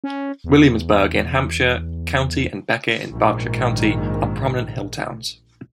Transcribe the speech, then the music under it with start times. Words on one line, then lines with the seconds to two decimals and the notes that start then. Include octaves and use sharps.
Williamsburg in Hampshire County and Becket in Berkshire County are prominent Hilltowns.
0.04 C#4
0.44 E2
3.12 A#1 G#2 D#3 G#3